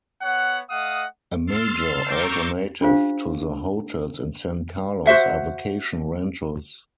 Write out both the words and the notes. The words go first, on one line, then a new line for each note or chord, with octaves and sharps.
A major alternative to the hotels in San Carlos are vacation rentals.
B3 C#5 F#5
A3 D#5 F5 F#5 D#6
C6 E6 F6 A6 C7
A#5 C#6 D6 E6 G6
C#4 D4 F4 G4 C5 F5
F#4 C5 E5 F#5